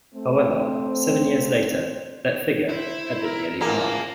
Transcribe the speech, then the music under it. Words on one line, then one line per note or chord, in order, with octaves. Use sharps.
However, seven years later that figure had been nearly halved.
A3 C4
E4 C5
A#4
E3 A#3 E4 F4 G#4 A#4 A5